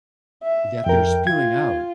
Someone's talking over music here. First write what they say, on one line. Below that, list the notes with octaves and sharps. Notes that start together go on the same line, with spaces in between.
that they're spewing out
E5
F2 A#4 G5
F4 G#6